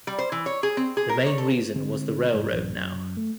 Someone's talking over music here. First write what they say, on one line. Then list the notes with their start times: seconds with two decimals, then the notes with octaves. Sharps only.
The main reason was the railroad now.
0.07 G3
0.18 C5
0.32 E3
0.46 C#5
0.63 G#4
0.77 C4
0.97 G#4
1.09 A#4
1.26 C#5
1.38 A4
1.75 D3 G#3 C4
2.32 F1 G#2 G#3
2.52 A1 F#2
2.77 F#2
3.17 A3